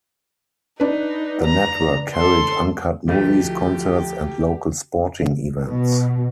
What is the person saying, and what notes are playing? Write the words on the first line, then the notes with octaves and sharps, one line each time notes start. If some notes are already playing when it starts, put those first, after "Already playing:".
The network carried uncut movies, concerts and local sporting events.
D4 D#4 B4
A#5
A4 C6
D2 F3 A3 D#4 G4
B2